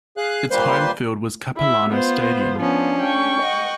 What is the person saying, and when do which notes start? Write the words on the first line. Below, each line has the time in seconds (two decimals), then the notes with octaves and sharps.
Its home field was Capilano Stadium.
0.17 G#4 F5 F#6
0.51 A#2 G3 A#3 B4 C5 C6
1.57 E4 E5
1.90 B3 F4 C5
2.59 F3 B3 C#4 D4
3.01 G5 C#6
3.41 D#5 F#5